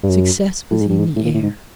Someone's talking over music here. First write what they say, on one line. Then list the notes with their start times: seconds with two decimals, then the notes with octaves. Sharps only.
Success was in the air.
0.03 G2
0.09 F#2
0.71 A2
0.81 G#2
0.90 G2
0.99 G#2
1.16 A2
1.25 A#2
1.34 A2
1.43 G#2